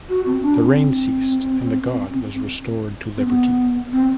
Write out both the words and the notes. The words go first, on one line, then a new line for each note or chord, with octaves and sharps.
The rain ceased and the god was restored to liberty.
F#4
C4
D4
C4
C4
B3
C4